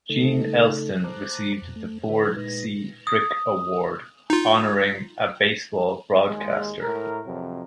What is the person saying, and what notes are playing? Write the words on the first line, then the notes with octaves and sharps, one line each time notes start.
Gene Elston received the Ford C. Frick Award honoring a baseball broadcaster.
C#3 A3 D#4 A4
C5 A5 A#5 D6 F#6
F2
A3
D3 E4 B4
A#2 G#3 D#4 B4 A#6
D#6
D#4 F4
D#2 G#3
A2 A#4
F2 C3 F#3